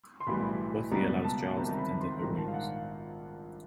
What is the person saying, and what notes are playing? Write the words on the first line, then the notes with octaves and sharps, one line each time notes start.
Buffy allows Giles to tend her wounds.
C6
B1 A2 E3 G3 B5
C#2 B2 G3 A#5
A5
C#2 C3 D#3 G3 A#5
A5
A#5
B5
C6
A#1 G#2 D#3 G3 A#5
A5
F5
F#5